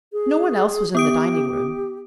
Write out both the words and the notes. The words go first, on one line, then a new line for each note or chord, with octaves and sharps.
No one else was in the dining-room.
G#4
B3 G4 D#6 D7